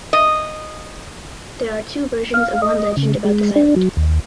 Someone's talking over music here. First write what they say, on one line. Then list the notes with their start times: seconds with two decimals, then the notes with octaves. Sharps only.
There are two versions of one legend about this island.
0.13 D#5
2.34 F5
2.62 D#5
2.97 C#3
3.24 G#3
3.56 D4
3.76 F#3
3.97 D#2